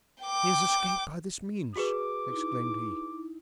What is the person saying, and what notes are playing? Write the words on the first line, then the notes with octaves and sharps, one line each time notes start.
"He has escaped by this means," exclaimed he.
G5 D6
F#4 G#4 B4 D6
D#4 E4